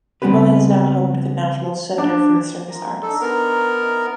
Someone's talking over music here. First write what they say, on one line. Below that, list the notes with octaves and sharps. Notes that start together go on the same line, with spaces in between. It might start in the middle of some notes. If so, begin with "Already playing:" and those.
The building is now home to the National Centre for Circus Arts.
C#3 G3 B3 C4 G4 B4
D4
F3 A#4
E6
D4 D#4 A4
B3 A#4 C5 A#5 B5
D#4 E5